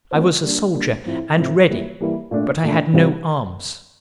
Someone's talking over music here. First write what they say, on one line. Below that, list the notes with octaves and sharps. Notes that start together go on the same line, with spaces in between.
I was a soldier, and ready, but I had no arms.
A3 C4 F4 C5
G3 A#3 D4
G3 A#3 D4
A2 F3 C4 E4
A2 F3 C4 E4
E3 G3 A#3 E4
E3 G3 A#3 E4
A#2 A3 D4
A#2 A3 D4
C3 E3 G3 C4 F4